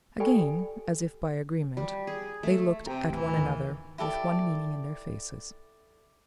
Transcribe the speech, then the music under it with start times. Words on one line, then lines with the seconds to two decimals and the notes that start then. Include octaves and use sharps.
Again, as if by agreement, they looked at one another with one meaning in their faces.
0.20 G4 A4 D5 G5 G#5 B5
1.77 G3
2.07 G#4
2.43 A3
2.86 C3 G5 A#5
3.09 D1 E3
3.37 D#2
3.98 E4 G4 A4 D5